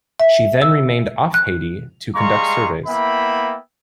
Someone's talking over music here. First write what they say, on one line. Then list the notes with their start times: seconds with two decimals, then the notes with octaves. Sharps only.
She then remained off Haiti to conduct surveys.
0.20 E5
0.62 E6
1.34 F#6
2.15 G3 G#3 F5 A#5 C6 C#6
2.87 A#3 B3 E4 E5 G5 B5